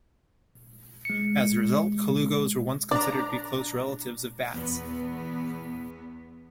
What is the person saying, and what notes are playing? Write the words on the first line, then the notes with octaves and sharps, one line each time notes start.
As a result, colugos were once considered to be close relatives of bats.
G#3 C#7
D4 D5 A#5
E2 B3